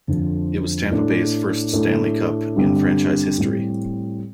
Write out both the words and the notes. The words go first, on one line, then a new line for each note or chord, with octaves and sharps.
It was Tampa Bay's first Stanley Cup in franchise history.
F2 D3 F3
A2 A3 D4
A2 A3 D4
G2 D3 G3 C4
A2 G3 C4